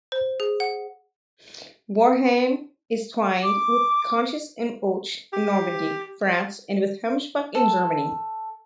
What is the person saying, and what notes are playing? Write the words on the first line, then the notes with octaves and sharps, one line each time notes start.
Wareham is twinned with Conches-en-Ouche in Normandy, France and with Hemsbach in Germany.
C5
G#4
F#5
D6
G4
A4